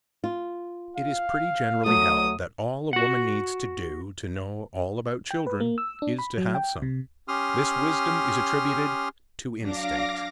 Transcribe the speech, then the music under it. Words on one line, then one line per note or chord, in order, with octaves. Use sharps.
It is pretty generally held that all a woman needs to do to know all about children is to have some. This wisdom is attributed to instinct.
F4
F5
F#3 A3 D#6
F#4 F#5
G5
B4
A#3
E6
D4
B5
F#3
G5
C3
C#4 G4 C6 D#6 F6
F#3 D4 D5 F5 D6 A#6